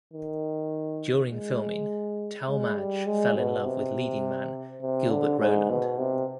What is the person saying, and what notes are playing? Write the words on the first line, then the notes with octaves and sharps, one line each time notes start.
During filming, Talmadge fell in love with leading man Gilbert Roland.
D#3
G#3
G#3
G3
G#3
B2
C3
C3
D3
G#2
B2
C3